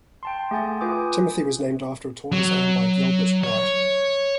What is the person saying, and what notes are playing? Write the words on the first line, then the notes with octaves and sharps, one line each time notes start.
Timothy was named after a tortoise owned by Gilbert White.
G5 A5 C6
A3 G#4 F#5 G#5 A6
F4 B4 G#5 D6 D#6
F#3
C#5